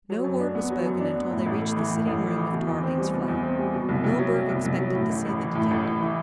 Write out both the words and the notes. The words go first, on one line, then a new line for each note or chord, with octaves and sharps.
No word was spoken until they reached the sitting-room of Tarling's flat. Milburgh expected to see the detective.
F#3
F#2
D4
B3
F#3
F#2
D4
B3
A2
A1
A3
E3
A2
A1
A3
E3
B2
E2
C4
G3
B2
E2
C4
G3
B2
C2
C2
F#3
B2
C2
C2
F#3
A2
A1
A1
E3
A2
A1
A1
E3